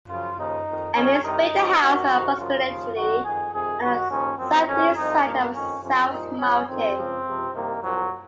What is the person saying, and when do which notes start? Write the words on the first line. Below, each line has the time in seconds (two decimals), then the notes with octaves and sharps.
Ames built a house on approximately on the southeast side of South Mountain.
0.08 F#2 C#3 F3 F4
0.37 D#2 C#3 F3 D#4
0.66 F2 D#3
0.94 F2 D#3 C#4
1.23 C2 C3 D#3 D#4
1.52 C#2 C#3 F3
1.80 D#2 D#3 F#4
2.08 F2 C3 D#3
2.37 F#2 C#3 F3 F4
2.66 D#2 C#3 F3
2.95 F#2 D#3 F#4
3.23 F2 D#3 G#4
3.52 F2 C3 D#3 G#4
3.80 D#2 D#3 F#4
4.09 D#2 C#3 F3 C#4
4.38 F#2 F3 C4
4.67 F2 D#3 C#4
4.95 C2 C3 F3 D#4
5.24 C2 A#2 F3 A#3
5.52 F2 D#3 C#4
5.81 F2 C3 F3 C#4
6.10 C2 A#2 F3 D#4
6.39 C#2 C3 F3 C#4
6.67 F2 D#3 C4
6.96 C#2 C#3 F3
7.25 C#2 C3 F3
7.53 C2 C3 D#3 A#3
7.81 C2 A#2 F3 F#3